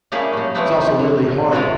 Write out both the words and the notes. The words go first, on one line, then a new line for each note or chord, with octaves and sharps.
It's also really hard.
G3 A3 A#3 C#4 E4 G#4
A2 F#3
E3 F3 G3 A3 B3 C4
F#3
E3 F#3 G#3 F4 F#4